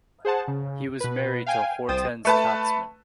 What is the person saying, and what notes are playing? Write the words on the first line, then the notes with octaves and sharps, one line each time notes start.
He was married to Hortense Katzman.
G#4 C5 F#5 A5
C#3
B2 B4
F5 G5 G#5
C2 C5 G5 D#6 A6 E7
A3 B4 A5